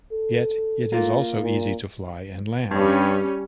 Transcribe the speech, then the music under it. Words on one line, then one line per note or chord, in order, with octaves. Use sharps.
Yet it is also easy to fly and land.
A4
A#3 F4
A#2
G2 G3 C#4